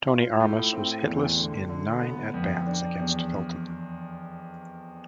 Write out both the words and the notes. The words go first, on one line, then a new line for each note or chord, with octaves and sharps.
Tony Armas was hitless in nine at bats against Felton.
F4
A2
C4
E2
D3
D3
B3
F2
D4
E2